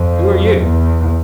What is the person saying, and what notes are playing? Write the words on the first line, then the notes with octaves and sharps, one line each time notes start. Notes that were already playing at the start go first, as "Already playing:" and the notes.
"Who are you?"
Already playing: F2
E2